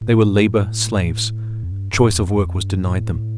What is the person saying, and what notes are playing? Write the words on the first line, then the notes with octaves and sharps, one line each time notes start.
They were labor-slaves. Choice of work was denied them.
A2
F2
G2
G2
E2
G2
F2
G2
A2
A2